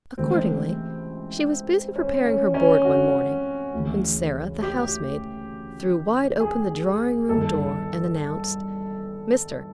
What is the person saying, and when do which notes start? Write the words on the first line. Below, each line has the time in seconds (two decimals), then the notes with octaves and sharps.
Accordingly, she was busy preparing her board one morning, when Sarah, the housemaid, threw wide open the drawing-room door and announced, 'Mr.
0.17 C#2 C3 E3 A3 C4
1.96 C#4
2.25 C#4
2.54 C#4
2.84 F#4
3.73 D2 C#3 E3
4.62 G4
6.40 G#4
7.29 G1 G2 D#3 A4